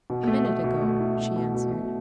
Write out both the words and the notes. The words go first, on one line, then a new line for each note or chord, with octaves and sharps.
"A minute ago," she answered.
B2
A3
A3
B2
A3
E4
B2
B2
B2
B2